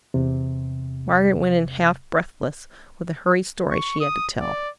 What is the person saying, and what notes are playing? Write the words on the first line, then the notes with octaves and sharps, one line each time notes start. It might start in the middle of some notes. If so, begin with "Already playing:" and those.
Margaret went in half breathless with the hurried story she had to tell.
E2 C3
C#6
D#6
D5